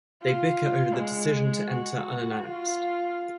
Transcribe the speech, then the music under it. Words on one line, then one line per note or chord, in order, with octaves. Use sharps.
They bicker over the decision to enter unannounced.
F4
G#3
F#4
F4